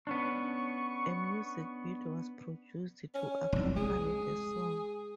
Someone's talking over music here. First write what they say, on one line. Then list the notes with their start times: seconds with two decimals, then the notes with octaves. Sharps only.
A music video was produced to accompany the song.
0.07 B3 C#4 D4 C#6
3.14 C#4
3.52 F1 C2 D4
3.76 G#3 G#4